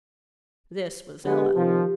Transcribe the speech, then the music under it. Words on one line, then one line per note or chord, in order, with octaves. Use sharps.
This was Ella.
D3 G#3 B3 G4
C3 D#3 F3